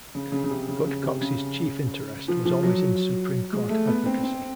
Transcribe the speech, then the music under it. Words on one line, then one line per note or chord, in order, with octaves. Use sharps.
But Cox's chief interest was always in Supreme Court advocacy.
C#3
C#3
C#3
C3
C#3
C#3
C3
C#3
F3
F3
F#3
G#3
A3
B3
C4
C4